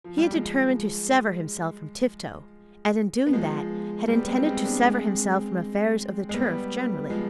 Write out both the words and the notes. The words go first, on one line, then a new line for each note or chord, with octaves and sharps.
He had determined to sever himself from Tifto, and, in doing that, had intended to sever himself from affairs of the turf generally.
F3
G3
F3 G#3
B3
F3 G#3
G3 B3
G#3 C4
B3
G#3 C4
B3 D4
G#3 C4
G#3
G3 B3
F3 G#3